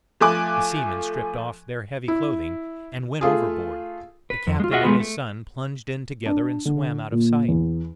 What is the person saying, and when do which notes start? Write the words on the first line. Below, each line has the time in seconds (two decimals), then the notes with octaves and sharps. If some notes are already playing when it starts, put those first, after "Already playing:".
The seamen stripped off their heavy clothing, and went overboard; the captain and his son plunged in together and swam out of sight.
0.21 F3 A3 G#5 D6 F#6
2.08 E4
3.21 A3 F4 G#4
4.30 B4
4.47 F2
4.60 G#3 F4
4.71 F4 F#4 G#4 D#5 E5 F#5
4.83 G#3 A3 B3 F4 G#4 B4
5.00 A3
6.26 D4
6.65 D3
7.12 A#2
7.48 E2